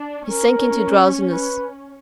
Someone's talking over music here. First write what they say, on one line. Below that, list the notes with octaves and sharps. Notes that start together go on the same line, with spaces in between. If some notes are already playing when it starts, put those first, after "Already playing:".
He sank into drowsiness.
Already playing: D4
C#4 A#4
B4